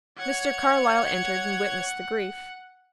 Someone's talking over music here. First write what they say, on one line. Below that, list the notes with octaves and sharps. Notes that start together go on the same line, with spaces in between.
Mr. Carlyle entered and witnessed the grief.
C#5 F#5 G#6